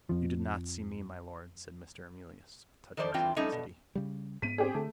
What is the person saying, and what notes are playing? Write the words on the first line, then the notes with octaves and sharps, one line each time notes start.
"You did not see me, my lord," said Mr. Emilius with touching simplicity.
F2 F3
D#3 F3 C5 D5
G2 E3 C4 F4 G5
F3 G3 A3 C#4 D#4
B2
C#3 G3
G#2 B3 B6 D#7
C4 G4 G#4
D3 A3